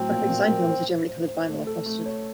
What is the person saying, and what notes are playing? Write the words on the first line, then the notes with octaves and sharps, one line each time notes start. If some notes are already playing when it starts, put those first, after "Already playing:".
Graphic design films are generally colored vinyl or frosted.
Already playing: A2 F#3 C4
A#2
A#2
A#3
C5
C5
C5
C5
A3
A4
A3
C#5